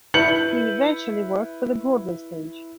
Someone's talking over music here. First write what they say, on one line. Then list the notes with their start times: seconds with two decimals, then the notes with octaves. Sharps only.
He eventually worked for the Broadway stage.
0.14 E4 B4 G6 C#7 F#7